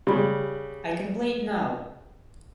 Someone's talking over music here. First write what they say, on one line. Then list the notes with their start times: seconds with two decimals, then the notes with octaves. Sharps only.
I can play it now!
0.07 C#3 G3